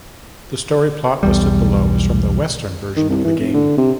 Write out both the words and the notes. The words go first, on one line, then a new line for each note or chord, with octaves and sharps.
The story plot listed below is from the Western version of the game.
B1 E2 G3
D#3
C2
E3
F1
D3
C3